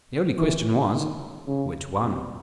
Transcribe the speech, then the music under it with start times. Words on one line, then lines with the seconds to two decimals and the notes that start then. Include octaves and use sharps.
The only question was, Which one?
0.38 E3
0.92 D#3
1.47 C#3
2.01 C3